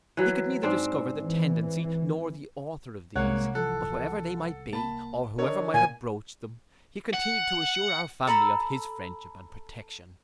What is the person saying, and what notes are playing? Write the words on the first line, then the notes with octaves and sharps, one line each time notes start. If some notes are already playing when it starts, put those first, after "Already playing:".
He could neither discover the tendency, nor the author of these, but whatever they might be, or whoever might have broached them, he continued to assure our family of his friendship and protection.
E3 F#3
G#2 C4 D4
E3
C2 A2 G#3 A#3 C#5 F#5
E3 F3 A4 F#6
A#3 A5 B5
D3 A#4 C#5 D#5
A#2 G#5
F#5
A4 A#5 B5 E6